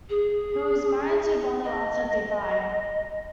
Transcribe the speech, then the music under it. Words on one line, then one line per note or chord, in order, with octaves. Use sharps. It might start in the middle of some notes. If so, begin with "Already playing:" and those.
He was married to Bonalata Devi.
G#4
D#5